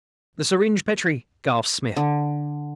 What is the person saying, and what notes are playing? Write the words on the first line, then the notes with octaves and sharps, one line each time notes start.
"The syringe, Petrie!" gasped Smith.
D3